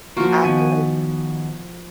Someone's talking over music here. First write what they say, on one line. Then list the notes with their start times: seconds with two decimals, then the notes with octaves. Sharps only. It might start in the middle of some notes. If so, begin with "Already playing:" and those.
act like
0.17 F3 A#3 F4 F#4
0.45 D#3 B3 G#5